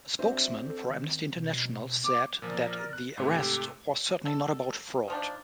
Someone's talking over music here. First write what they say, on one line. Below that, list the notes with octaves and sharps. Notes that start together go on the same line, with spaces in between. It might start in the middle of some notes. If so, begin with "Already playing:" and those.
A spokesman for Amnesty International said that the arrest was "certainly not about fraud".
C4 D4 F#4 E5
A4
D#3
B2
B3 D6
A#2 F3 A#4 D5
F#6
G#2 C3 A3 G4
A4
D#3 F3 D4